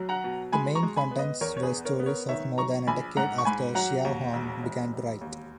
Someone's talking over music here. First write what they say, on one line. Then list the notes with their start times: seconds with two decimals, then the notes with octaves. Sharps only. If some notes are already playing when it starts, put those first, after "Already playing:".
The main contents were stories of more than a decade after Xiao Hong began to write.
Already playing: B1 F#3
0.09 F#5 A#5
0.24 B2
0.52 G#3 G#5 B5
0.75 A#5 C#6
0.83 G#3
0.96 G#5 B5
1.11 B3
1.19 B4 D#5
1.41 E2 A#4 C#5
1.57 C#5
1.62 G#4 B4
1.70 B3
1.85 A#4 C#5
2.00 B3
2.06 A#4 C#5
2.29 D#3 C#5 E5
2.58 F#3 A#5 C#6
2.87 A#1 G#5 B5
3.17 G#2 F#5 A#5
3.38 C#6
3.45 G#2 G#5 B5
3.75 F#3 F#5 A#5
4.05 D#2
4.33 E1
4.63 E1
4.93 E1
5.21 D#2